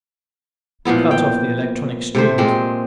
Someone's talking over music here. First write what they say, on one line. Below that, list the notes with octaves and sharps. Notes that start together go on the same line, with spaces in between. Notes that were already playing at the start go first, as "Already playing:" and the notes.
I cut off the electronic streams.
A#2 F3 B3 E4
G5
C3 A3 C5
A#2 G#3 C4